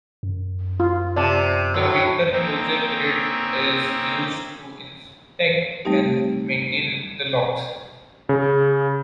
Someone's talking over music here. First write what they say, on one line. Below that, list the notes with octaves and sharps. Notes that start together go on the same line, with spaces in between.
The winter closure period is used to inspect and maintain the locks.
F#2
F4
C3 D5 A5
A2 F#3
A#3 C4 C#4 D#4 E5
G3 A3 C4 D#4 G4
C#3 G#4